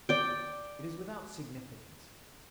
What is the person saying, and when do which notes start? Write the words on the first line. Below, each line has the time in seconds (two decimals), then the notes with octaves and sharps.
It is without significance!
0.09 D5 G5